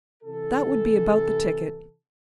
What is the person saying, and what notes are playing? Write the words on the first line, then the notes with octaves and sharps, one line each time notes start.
That would be about the ticket.
C3 E3 A4